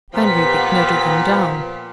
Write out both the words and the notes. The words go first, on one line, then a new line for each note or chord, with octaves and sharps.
Van Riebeek noted them down.
A#2 F3 B3 G4 B6